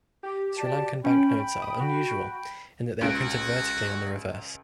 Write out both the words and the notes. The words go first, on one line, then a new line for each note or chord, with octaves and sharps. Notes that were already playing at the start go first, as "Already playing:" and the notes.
Sri Lankan banknotes are unusual in that they are printed vertically on the reverse.
G4
F#4 D5 A5
C#4 G5 B5
D#6
F#4
C#2 F4 F#4 D7